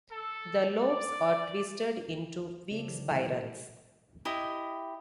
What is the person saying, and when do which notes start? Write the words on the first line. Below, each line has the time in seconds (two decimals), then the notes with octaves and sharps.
The lobes are twisted into weak spirals.
0.10 A4
0.81 D5
2.71 C#3 C4 A4 D5
2.86 D#3 E3 F#3 G4
2.99 D3
3.11 A#2 E3 G#3 E4 A4
3.27 E3 B4
4.25 E4 G4 D#5 D#6